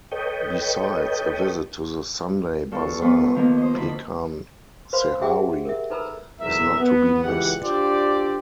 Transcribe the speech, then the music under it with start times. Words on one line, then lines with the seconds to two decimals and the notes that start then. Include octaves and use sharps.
Besides, a visit to the Sunday Bazaar "Pekan Sehari" is not to be missed.
0.12 A4 B4 C#5 D#5 G5
2.71 E2 F4 A4 C#6
3.02 B3 F4 B4
3.35 D#3 F3 A#3 B3
3.58 C5 D#5
3.74 D2 B5
4.93 B4 C5 F5 B5 C6
5.21 G4 G#4 E5 F#5 G5
5.65 A#4 E5
5.90 D#4 A4 B4 A#5 B5 E6
6.40 F#1 B1 E2 A#4 E5
6.79 B3
7.23 C#2 E3 G4 F#5
7.63 D4 F4 G4 A4 C5 D5